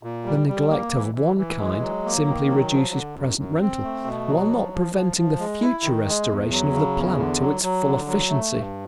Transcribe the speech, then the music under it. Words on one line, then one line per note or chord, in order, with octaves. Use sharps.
The neglect of one kind simply reduces present rental while not preventing the future restoration of the plant to its full efficiency.
A#2
G3
G3
A#3
E3
E3
E3
G#3
F#3
A#3
D#3
F#3
F3
D3
F#2
F#2
C4
A3
B2
F#3
F3
F3
F3
F3
G#3
E4
D#3
G#3
E2
F#3
C#3
E2
D3
F#3
F#3
D3
F#3
A3
G2